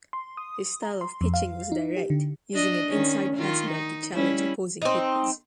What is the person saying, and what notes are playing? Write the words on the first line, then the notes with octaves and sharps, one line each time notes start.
His style of pitching was direct; using an inside fastball to challenge opposing hitters.
C6
D#6
A#5
C6
F2
F5
D#4
G4
D3
D4 D#5
D#3 C#4
D#3 F4
D#4
G3 C#4 E4
C4 D#4